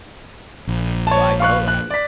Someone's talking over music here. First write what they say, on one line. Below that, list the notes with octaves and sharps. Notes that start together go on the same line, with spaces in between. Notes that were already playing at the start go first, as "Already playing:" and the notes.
So, I know how to
A#1
C#5 A5
F5 C#6 F#6
F#6
D5 B6